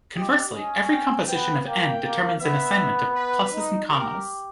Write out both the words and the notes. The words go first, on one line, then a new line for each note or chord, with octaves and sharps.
Conversely, every composition of "n" determines an assignment of pluses and commas.
G4 D#5
C#4 D#5
G5
B3 G5
A#3 G5
A#3
B3 E5
B4
D#4
G4 A#4